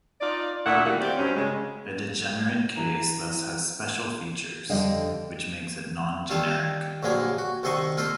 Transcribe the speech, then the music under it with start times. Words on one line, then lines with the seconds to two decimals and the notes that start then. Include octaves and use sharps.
A degenerate case thus has special features, which makes it non-generic.
0.21 D#4 F4 D5
0.66 D2 A#2 A3 E4 F#5
0.85 D#3 G3 A3 A#3 F#4
1.00 C4 G4 D5
1.18 G2 C3 F#3 C#4
1.36 C#3 G#3
2.77 E3 A#5
4.70 F2 D3 G3 D#5 F5
6.30 D#3 G3 F4 A4
7.03 A#1 G2 D3 F#3 A#3 G#4
7.38 F#4
7.63 C2 D#3 A4 C5 D#5 C#6
7.97 A#3 F4 A4 C5